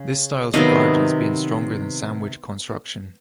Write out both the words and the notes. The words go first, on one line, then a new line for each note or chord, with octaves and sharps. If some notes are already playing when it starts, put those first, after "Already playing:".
This style is regarded as being stronger than sandwich construction.
Already playing: C#3
C3 D#3 F#3 B3 D#5 F5